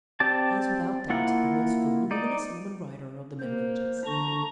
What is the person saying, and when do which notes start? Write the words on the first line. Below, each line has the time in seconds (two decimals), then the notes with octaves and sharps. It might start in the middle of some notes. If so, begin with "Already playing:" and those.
She is without doubt the most voluminous woman writer of the Middle Ages.
0.20 C4 G4 D5 A5
1.10 A#3 E4 F4 F#5
2.11 D#4 D5
3.40 A#3 C5
4.06 D3 D4 A#5 C#6